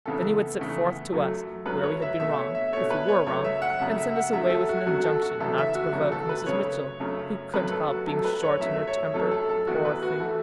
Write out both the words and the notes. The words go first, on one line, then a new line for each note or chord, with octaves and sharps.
Then he would set forth to us where we had been wrong, if we were wrong, and send us away with an injunction not to provoke Mrs. Mitchell, who couldn't help being short in her temper, poor thing!
E2 C#3 E3 A3 A4
E2 C#3 E3 A3
F#2 F#3 A3
F#2 F#3 A3 B4
C#5
E5
B2 A3 E5
C#5
E5
B2 A3 C#5
B4
C#5
F#2 C#3 A3 C#5
E5
F#5
F#2 C#3 A3 E5
E5
F#5
F#2 F#3 A3 E5
A4
F#4
F#2 F#3 A3 F#4
A4
F#4
F#2 C#3 E3 A3 A4
E5
F#4
F#2 C#3 E3 A3 F#4
A4
B4
F#2 C#3 A3 C#5
F#2 C#3 A3
F#2 F#3 A3 B4
A4
F#4
F#2 F#3 A3 A4
B4
C#5
F#2 F#3 A3 E5
C#5
F#2 F#3 A3 A4
A4
A4
E2 E3 A3 F#4
B4
F#4
E3 A3 A4